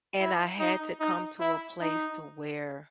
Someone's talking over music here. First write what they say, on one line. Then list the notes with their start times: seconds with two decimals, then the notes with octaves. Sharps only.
And I had to come to a place to where
0.20 E4
0.59 D#4
1.00 D#4
1.40 E4
1.81 D#4